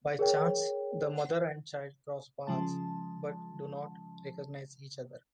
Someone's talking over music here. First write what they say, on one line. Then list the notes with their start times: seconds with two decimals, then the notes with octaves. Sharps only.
By chance, the mother and child cross paths, but do not recognize each other.
0.19 G#4 A#4 C#5 G5
2.47 C#3 F3 G#3 A5